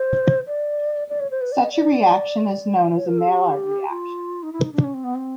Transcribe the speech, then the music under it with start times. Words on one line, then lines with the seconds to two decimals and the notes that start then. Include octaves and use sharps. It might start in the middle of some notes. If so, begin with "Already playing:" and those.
Such a reaction is known as Maillard reaction.
Already playing: C5
0.47 D5
1.10 D5
1.20 C#5
1.31 C5
1.41 B4
1.52 D5
1.63 D#5
1.73 D5
2.96 C#5
3.07 A#4
3.18 A4
3.28 G4
3.90 F4
4.43 D#4
4.53 E4
4.63 D#4
4.73 D4
4.84 C#4
4.94 C4
5.04 B3
5.15 C4